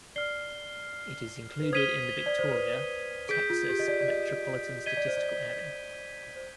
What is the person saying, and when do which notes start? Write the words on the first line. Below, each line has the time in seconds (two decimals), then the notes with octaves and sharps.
It is included in the Victoria, Texas, Metropolitan Statistical Area.
0.16 D5 F6 C7 G7
1.63 B4
1.72 C5 D#6 G#6 B6 D#7 G7
2.26 D5
2.39 C5
2.51 B4
3.29 G#4 G6 B6 D7
3.50 F4
3.69 G4
3.79 D#5
3.88 D5
4.00 D5
4.08 D#5
4.86 D#5 G#6 B6 D#7 G7
4.97 D5
5.07 C5
5.17 D5
6.36 C5